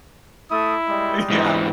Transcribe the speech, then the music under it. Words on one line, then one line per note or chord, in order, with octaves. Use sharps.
Uh, yeah,
A3 E4 A4 D#6
G3 G#3 D#5
G#2 E3 D#4